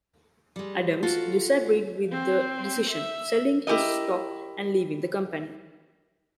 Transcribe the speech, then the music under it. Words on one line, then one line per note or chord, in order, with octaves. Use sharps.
Adams disagreed with the decision, selling his stock and leaving the company.
G3 G#3
F4 F#4 A4
C4
E5
E4 G4 A#4 D#5